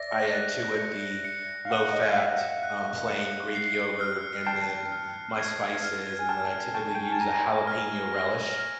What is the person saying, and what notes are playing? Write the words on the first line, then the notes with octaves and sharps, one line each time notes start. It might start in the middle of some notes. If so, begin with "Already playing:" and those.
I add to it the low-fat, um, plain Greek yogurt and then my spices, and then I typically use a jalapeño relish,
Already playing: D5 E5 A#6
F#6
C#7
C#7
F5
E5 F#5 F#6
D#5
E5
F5
E5 F#5 F#6
F#6
C#7
C7
F6
G5 A5 C7
F6
G#6
F6
G#5
G5 A5 F6
G5 A5 C#6
G5
G#5
A5
G#5 A#5 A#6
F6
A#6
F6